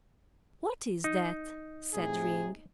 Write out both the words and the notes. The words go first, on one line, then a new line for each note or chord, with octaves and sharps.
'What is that?' said Ring.
D#4
A2 C3 G#4